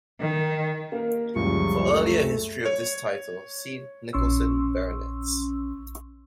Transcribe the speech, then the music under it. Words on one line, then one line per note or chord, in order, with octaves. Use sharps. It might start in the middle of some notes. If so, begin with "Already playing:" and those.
For earlier history of this title, see Nicolson Baronets.
D#3
A#3 A#4
F#1 C#2 F3 G3 C#6
A3
C#5
A#1 C#4 C6 C#6 E6